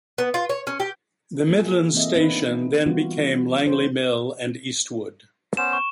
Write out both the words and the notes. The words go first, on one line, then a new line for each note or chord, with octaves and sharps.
The Midland station then became Langley Mill and Eastwood.
B3
F4
C#5
C#4
G4
A#3 F4 G#4
E3 A#3 C4 A4 D#5 E5
B3 C4 D4 D#4 B4
E3 G3 B3 F4 F#4
D#4 C5
B3 C#4 C5 E7
C#6